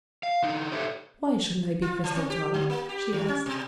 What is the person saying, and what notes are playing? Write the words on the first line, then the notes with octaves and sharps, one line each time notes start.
"Why shouldn't I be Cristel Toller?" she asked.
F5
D3 D#4
G4 A4 C5 C#5 E5
F4
E3
C4
G4
D3
A#3
G4
D#3
C#4
B2